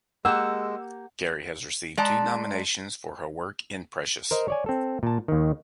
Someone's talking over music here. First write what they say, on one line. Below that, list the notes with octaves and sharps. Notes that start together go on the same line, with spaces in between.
Carey has received two nominations for her work in "Precious".
G#3 A#3 G4 F#5 E6
G#3 D5 A5 A#5
A#4 C5 D#5
C#5 D5 G#5
C4 A4
A#2 A5
D#2 D#3